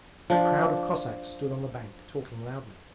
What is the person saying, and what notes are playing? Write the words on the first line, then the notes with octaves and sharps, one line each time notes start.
A crowd of Cossacks stood on the bank talking loudly.
F3 D4